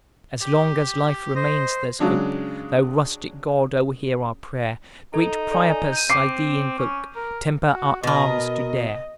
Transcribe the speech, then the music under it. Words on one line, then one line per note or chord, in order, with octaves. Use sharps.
As long as life remains, there's hope; Thou rustic God, oh hear our prayer, Great Priapus, I thee invoke, Temper our arms to dare!
G4
C5 D#5
C#3 F#3 G#3 D4
D#4 A4 D#5
A4 D5 G#5
G6 D#7
C4 D6 C7
C#4
A#4
F#4
B2 A#4 D#5